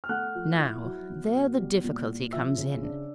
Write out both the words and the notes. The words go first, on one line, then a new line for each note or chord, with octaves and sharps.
Now, there the difficulty comes in.
F6
A3 F#5 F#6
F3
E4
F#3
B2
B2
G3
A#2
E4
F3 E5 E6
C#3
D4